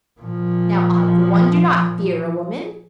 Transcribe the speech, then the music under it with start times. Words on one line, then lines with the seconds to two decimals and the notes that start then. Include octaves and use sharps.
Now I, for one, do not fear a woman.
0.21 A#2 F3